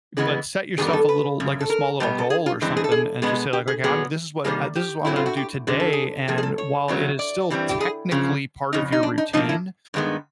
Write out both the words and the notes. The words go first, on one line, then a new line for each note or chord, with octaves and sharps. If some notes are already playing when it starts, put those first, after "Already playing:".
But set yourself a little like, a small little goal or something and just say like, "Okay, I'm this is what this is what I'm gonna do today," and while it is still technically part of your routine,
C#3 E3 G#3 B3 G#4
G2 D#3 G3 B3 G#4
A#4
A4
B4
F#2 C#3
A4
A#4
B2 G3 B3
A4
G#4
F4
G2 E3 G#3 C4
G#4
A4
G#4
B2 G#3 B3 G#4
G4
G#4
A#2 F#3 B3 G#4
C3 D#3 G3 A#3 G#4
G4
A2 F#3 A3 C4 E4
F4
F#4
G4
F#2 D3 F#3 G#4
A4
G#4
A#2 F3 A#3 G#4
G#4
A4
C#5
E2 C#3 F#3
D5
G2 E3 G3 C4
G4
G#4
F#2 C#3 F3
F2 C#3 D#4
D#4
D4
D#4
A2 F3 A#3 D#4
E4
G2 D#3 G#3 B3